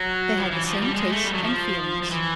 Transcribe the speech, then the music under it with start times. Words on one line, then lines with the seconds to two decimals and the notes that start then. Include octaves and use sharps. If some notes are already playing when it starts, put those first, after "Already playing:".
They had the same tastes and feelings.
Already playing: F#3
0.38 F3
0.52 E3
0.66 F3
0.81 G3
0.95 G#3
1.10 A3
1.24 G3
1.34 F#3
1.44 F3
2.03 F3
2.11 E3